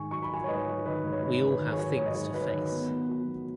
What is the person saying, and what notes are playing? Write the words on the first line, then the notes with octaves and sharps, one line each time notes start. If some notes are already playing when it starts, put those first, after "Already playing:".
We all have things to face.
Already playing: G#2 D#3 G#5 C#6
F#3 C#6
B5
F#3 G#5 C#6
C#5
G#2 B4 D#5
F#3
D#3 B4 D#5
G#2
C#5
G#2 B4
G#2
B4
D#3
G#4 C#5
F#3
F#3 C#5
D#5
G#2 G#4 C#5
C#5
F#3 B4
D#3
B3
B3
F#3
B3